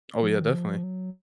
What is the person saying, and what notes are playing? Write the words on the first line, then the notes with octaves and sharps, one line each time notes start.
Oh yeah, definitely.
F3
D#3
F3
F#3